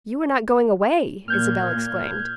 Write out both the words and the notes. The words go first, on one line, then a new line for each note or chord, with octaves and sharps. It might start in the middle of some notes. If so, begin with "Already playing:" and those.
"You're not going away!" Isabel exclaimed.
A#2 F6 G6 G#6